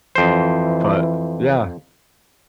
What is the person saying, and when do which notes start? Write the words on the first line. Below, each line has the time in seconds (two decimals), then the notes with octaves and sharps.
but yeah.
0.15 F2 E3 C5